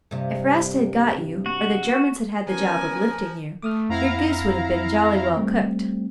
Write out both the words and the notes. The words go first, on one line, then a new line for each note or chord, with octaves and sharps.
If Rasta had got you, or the Germans had had the job of lifting you, your goose would have been jolly well cooked.
G2 C3
F#4
F3 B3 C#4 F#4 A#4 G#5
A3 D6 D#6 F6
F2 C4 E4 F5 F#5 A#5
G3 A3 C4